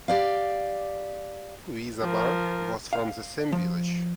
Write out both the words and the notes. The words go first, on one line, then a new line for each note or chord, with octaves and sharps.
Louis Zabar was from the same village.
G4 D5 F5
F3 A#4
F5
F3